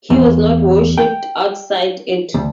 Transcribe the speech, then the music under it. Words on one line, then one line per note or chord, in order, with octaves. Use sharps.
He was not worshiped outside it.
E2
G5
D2